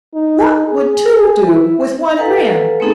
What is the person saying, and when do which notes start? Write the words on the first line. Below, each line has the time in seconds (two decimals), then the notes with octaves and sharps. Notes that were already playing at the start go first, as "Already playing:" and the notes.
What would two do with one ram?
0.15 D#4
0.67 G#4
1.46 E4
2.17 A4 B4 F5 F#5 G#5 A#5
2.80 A3 B3 C4 D#4 G#4 A4